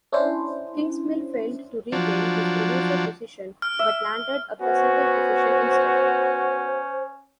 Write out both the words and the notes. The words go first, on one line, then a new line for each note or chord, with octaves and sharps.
Kingsmill failed to regain his producer position, but landed a presenter position instead.
C#4 D4 E4 C5
F3 F#3 D4
F6
E5
B3 C#4 F#4 C5